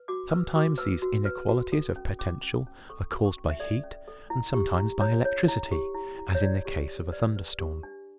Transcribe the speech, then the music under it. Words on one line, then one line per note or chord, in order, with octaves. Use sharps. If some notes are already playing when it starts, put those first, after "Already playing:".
Sometimes these inequalities of potential are caused by heat and sometimes by electricity, as in the case of a thunder-storm.
Already playing: B4
F#4 D6
B4 E6
F#4 D6
B4 E6
F#4
B4
F#4
A4
C#4
C#4 D6
C#4
C#4
A4 C#6
F#4
C#6
C#4
E5
A4 D5
C#4
A4
E4
G4
E4
E4 C#5
C#5
E4
G4
E4
E4
C#5
E4 D5
G4
G4
B4 D5
B4
G4
D4